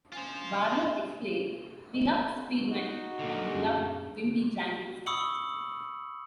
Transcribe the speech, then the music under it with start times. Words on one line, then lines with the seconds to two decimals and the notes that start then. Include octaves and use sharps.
Barlow explained, "We loved speed metal...and we loved wimpy-jangly stuff".
0.13 C#4 F4 C5 G#5
2.69 D#4 F#4
3.19 A#2 D3
3.52 F#2 C#4 G#4
5.06 B5 C#6 D#6 E6 C#7 F#7